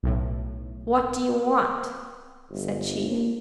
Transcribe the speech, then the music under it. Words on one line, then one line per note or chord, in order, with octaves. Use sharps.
'What do you want?' said she.
B1 A2
G1
A#3